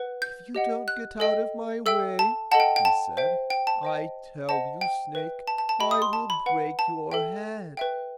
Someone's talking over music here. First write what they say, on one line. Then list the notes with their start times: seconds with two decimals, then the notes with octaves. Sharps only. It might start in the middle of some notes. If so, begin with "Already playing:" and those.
"If you don't get out of my way," he said, "I tell you, snake, I will break your head."
Already playing: B4 F#5
0.22 G6
0.55 G4 D#5 F#5
0.88 F#6
1.20 A4 D#5 G5
1.86 A4 E5 G5 E6
2.19 A5
2.51 A4 D#5 F#5 A5
2.60 G5
2.76 G5
2.85 A5
3.17 C5 E5 G5
3.50 G5
3.67 A5
3.83 C5 D#5 G5
4.49 C5 D#5 F#5 A5
4.81 G5
5.15 B4 E5 G5
5.48 A5
5.58 A5
5.69 A5
5.80 G4 D#5 G5 B5
5.91 D#6
6.02 C6
6.13 A5
6.30 B5
6.46 B4 F#5
6.79 A5
7.12 A4 E5 G5
7.77 B4 E5 G5